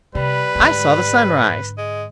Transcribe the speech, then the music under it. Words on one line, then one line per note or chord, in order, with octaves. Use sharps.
I saw the sun rise.
C3 G3 B4
G#2 D3
G#3